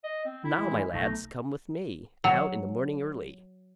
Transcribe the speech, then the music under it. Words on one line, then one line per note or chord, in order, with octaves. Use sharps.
"Now, my lads, come with me, Out in the morning early!"
D#5
C4
E4
E3 G#3
B1 A3 D#4
F#3